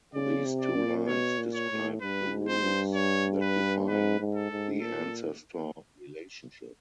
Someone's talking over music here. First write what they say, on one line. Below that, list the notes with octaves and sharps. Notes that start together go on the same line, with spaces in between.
These two lines describe the "rules" that define the ancestor relationship.
C#3 D5
C3
D5
A#2
B2 C#5
A#2
C#5
A2
G2 B4
G#2
C5
G2
C#5
B4
G#2 B4
G#2
A4
G#2
A#2 A4